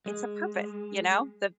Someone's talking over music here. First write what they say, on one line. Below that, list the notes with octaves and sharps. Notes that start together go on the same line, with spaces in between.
"It's a purpose," you know? The
G#3